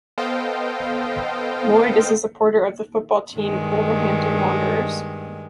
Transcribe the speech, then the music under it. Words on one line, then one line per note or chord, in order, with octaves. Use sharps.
Lloyd is a supporter of the football team Wolverhampton Wanderers.
B3 A4 C5 D#5 F5 G5
G2 D#3 G#3